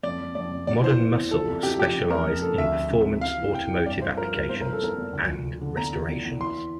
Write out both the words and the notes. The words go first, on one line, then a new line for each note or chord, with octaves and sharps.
Modern Muscle specialized in performance automotive applications, and restorations.
F2 D5
F2
F2 D5
F2
E2 D5
E3 C5
E3
E2
F3 A4
C2
C3 G4
F3 G4
C3
F2 A#4
F2
F2 A4
D2 E5
C3
C3
C3
C3 F5
E3
C2 G5
C2
G2 D5
G2 C5
F3 A#4
G2
E2 C5
F3 A#4
A4
E2 A#4
E2
D2
F3
F3
D3
E2 A#5
F3
E2
E2
E3 C6